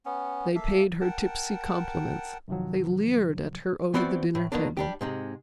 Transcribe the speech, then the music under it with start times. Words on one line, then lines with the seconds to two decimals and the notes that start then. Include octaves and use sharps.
They paid her tipsy compliments; they leered at her over the dinner-table.
0.06 B3 C#4
0.55 A#3 A4 E5 F5
1.01 A#4 F#5 G5 A5
2.48 F#2 C3 D#3 F3 F#3
3.94 E3 B3 C4 F#4 C5 D5
4.35 A2
4.52 F2 D#3 A#3 B3 D4
4.77 G3 D4 G4
5.01 G#2 C3 G#3